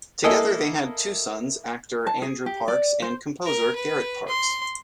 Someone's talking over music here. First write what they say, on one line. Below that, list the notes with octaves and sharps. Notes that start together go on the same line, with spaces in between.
Together they had two sons, actor Andrew Parks and composer Garrett Parks.
A#3 E4 A4 D#5 G#5
A5
G#4
G4
D5
C5
A#4
B4
C6